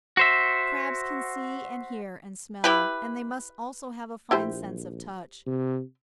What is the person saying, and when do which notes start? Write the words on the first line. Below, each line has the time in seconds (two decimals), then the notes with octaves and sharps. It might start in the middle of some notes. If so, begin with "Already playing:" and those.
Crabs can see and hear and smell; and they must also have a fine sense of touch.
0.17 F#4 C5 E5
2.64 E4 G4 B4
4.31 A#1 E4 G4 C5
5.46 C3